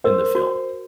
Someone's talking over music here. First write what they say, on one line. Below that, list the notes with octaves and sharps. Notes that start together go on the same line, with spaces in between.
in the film.
A#4 C5
F#4